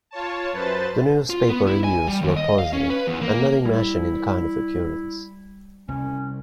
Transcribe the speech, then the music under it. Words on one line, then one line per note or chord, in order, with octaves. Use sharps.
The newspaper reviews were positive and nothing mentioned any kind of occurrence.
F4 C#5 A5
F#2 B4 C5 A5 A6
F4
B3
E4
G#5
G3
D#2
D#5
F5
C#4
B4
E2
A#3
G3 E4
C2 C#4